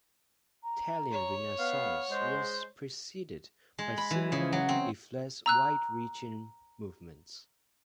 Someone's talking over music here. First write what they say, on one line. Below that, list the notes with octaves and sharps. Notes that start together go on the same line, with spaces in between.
The Italian Renaissance was preceded by similar, if less wide-reaching, movements.
A#5
C#5
B3 F5 F#5
G#3 C5
G#3
B5
E3
C#3
F#3
C4
A#5 E6 F#6